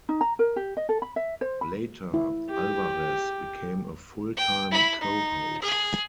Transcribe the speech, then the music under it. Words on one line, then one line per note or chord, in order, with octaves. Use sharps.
Later, Alvarez became a full-time co-host.
D#4
A#5
A#4
G4
D#5
A4
B5
E5
C5
B5
E4
G4
G5
E4 B5
D#4
G#4